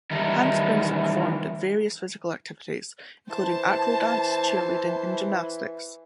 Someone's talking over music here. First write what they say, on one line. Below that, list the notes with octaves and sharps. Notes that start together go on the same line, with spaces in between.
Handsprings are performed in various physical activities, including acro dance, cheerleading and gymnastics.
D#3 E3 G3 D#4 E4
E3 C5 A5